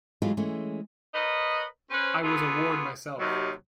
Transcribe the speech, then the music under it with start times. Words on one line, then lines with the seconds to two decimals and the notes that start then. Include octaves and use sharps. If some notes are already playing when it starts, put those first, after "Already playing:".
I was a ward myself.
0.22 E3 F#3 G#3 A3 E4 F4
0.37 E3 G#3 A3 C#4
1.15 A#4 B4 C#5 D#5
1.91 C#4 B4 C5
2.23 B3 F4 F#4 G#4 A4 B4
3.19 D#2 C3 D#3 F#3